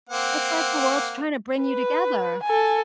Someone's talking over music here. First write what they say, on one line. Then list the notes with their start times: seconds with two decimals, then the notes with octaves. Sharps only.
it's like the world's tryna bring you together.
0.10 A#3 C4 F#5
1.63 B4
2.44 A4 G#5